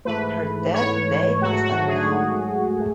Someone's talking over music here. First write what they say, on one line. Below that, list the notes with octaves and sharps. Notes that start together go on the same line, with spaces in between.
Her death date is unknown.
G#2 E3 A3 B4
C#5
G#2 F#3 A3 F#4
F#4
G#4
A3